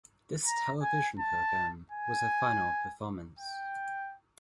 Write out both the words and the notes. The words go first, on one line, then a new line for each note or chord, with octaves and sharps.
This television program was her final performance.
A#5
G#5
A5
G#5
G5